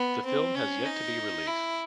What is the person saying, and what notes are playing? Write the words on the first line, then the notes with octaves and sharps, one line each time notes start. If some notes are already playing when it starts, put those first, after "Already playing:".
The film has yet to be released.
Already playing: B3
C4
C#4
D#4
E4